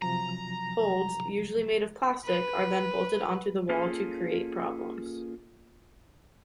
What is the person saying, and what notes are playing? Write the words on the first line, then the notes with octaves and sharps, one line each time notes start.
Holds, usually made of plastic, are then bolted onto the wall to create problems.
C3 F3 F#3 A#5
B4
A#3 C#4 F4 G#4 A4